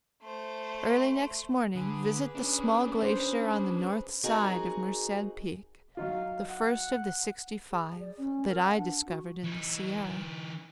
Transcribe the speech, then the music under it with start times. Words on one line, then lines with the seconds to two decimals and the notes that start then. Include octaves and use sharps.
Early next morning visit the small glacier on the north side of Merced Peak, the first of the sixty-five that I discovered in the Sierra.
0.22 A3 C5
1.75 D3 G#4 B4
2.35 C#4 D4
3.03 C5
4.23 C4 D#4 F#4 G#4 A#4
5.97 F#3 D#4 F4 F5
6.50 F#5
7.71 G#4
8.00 D5
8.18 C#4
8.48 A#4
8.60 F#5
8.77 D4
9.07 F#4
9.43 E3 D#4